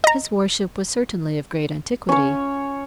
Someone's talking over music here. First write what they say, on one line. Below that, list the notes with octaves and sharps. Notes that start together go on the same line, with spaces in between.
His worship was certainly of great antiquity.
D#5 A#5
C#4 C#5